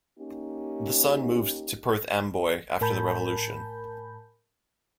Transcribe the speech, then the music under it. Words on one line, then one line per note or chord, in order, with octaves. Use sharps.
The son moved to Perth Amboy after the Revolution.
A#3 C#4 D#4 G4
A2 A#4 G#5 A5 B5 G6